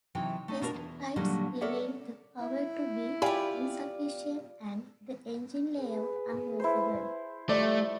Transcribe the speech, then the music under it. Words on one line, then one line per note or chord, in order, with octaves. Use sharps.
Test flights revealed the power to be insufficient and the engine layout unworkable.
C3 E3 F#3 D#4 G5
A3 D#4
B2 D4 F4 F#4 A#4
E2
A#2 D3 D#3 F#3 G3 A#3
A4 A#4 C#5 D5 E5 F#5
E4
F4 G4 D5 F5 G#5 B5
G#4 B4
E4 C5
F3 G3 A3 D5